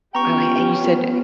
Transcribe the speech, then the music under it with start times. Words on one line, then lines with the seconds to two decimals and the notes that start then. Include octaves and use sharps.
I like and you said
0.15 B3 C#4 F4 G4 G5 A#5 C#6